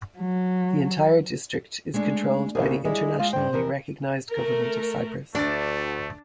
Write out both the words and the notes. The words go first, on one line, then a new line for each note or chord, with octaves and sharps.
The entire district is controlled by the internationally recognized government of Cyprus.
F#3
G#3 A3 D4
C2 C#3 G#4
G3 G#3 E4
G#3 F4
G2 C5 G5
F2 E3 A#4
A3 A#4
D2 A3 D4 D5 A6